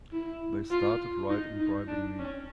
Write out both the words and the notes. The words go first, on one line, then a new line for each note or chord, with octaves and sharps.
They started right in bribing me!
E4
F4
D#4
D#4
D4
C#4